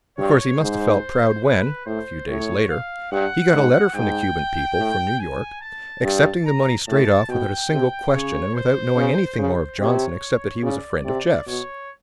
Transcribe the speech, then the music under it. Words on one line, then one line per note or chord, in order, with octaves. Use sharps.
Of course, he must have felt proud when, a few days later, he got a letter from the Cuban people, from New York, accepting the money straight off without a single question, and without knowing anything more of Johnson except that he was a friend of Jeff's.
G2 C#5
G#2 C5
B4
A2 C5
A2 C#5
F5
G2 F#5
G#2
G#2 G5
A2
G#5
A5
G2 A5
A#5
A2 A5
B2 G5
C3
C#3 C#5
C5
C#3
C#3 C5
C3 C#5
C#3 D5
C3 D5
B2 C#5